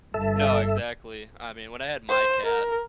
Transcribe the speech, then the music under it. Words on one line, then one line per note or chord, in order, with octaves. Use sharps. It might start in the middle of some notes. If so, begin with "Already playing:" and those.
No, exactly. I mean, when I had my cat,
G1 G2 A4 E5
C5
A#4